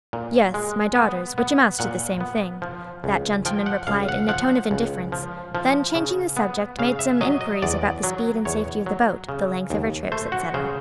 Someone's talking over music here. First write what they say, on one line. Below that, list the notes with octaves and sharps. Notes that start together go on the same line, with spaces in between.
"Yes, my daughter's, which amounts to the same thing," that gentleman replied in a tone of indifference; then changing the subject, made some inquiries about the speed and safety of the boat, the length of her trips, etc.
A#2
G#3
B3
B3
A#2 F#5
B3
F3
C#2
F3 G5
F#5
C#2 F5
F#5
F3 F#5
C#2
F3
F3
C#3
B3
C#3 F5
E5
F#3 D#5
D#5
E2 D5
F#3
E2 C#5
F#3
C#3
D#2
A3 C5
F#4
C#3 C5